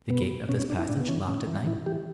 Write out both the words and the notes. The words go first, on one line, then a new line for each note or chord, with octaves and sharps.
"Is the gate of this passage locked at night?"
B2 B3
B2 C#4
C#4
D4
E4
A2 D4
B3
E3 C#4
A2 C#4
E3
A2 E4
E3 G4